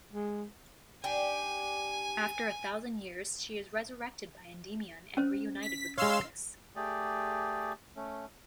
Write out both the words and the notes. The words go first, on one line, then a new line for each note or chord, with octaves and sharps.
After a thousand years, she is resurrected by Endymion and reunited with Glaucus.
G#3
D4 G4 G#5
C#4 C5
B6
G#3 C#5 F5 C6 E6
A3 G4 G#4 D5
A3 C#4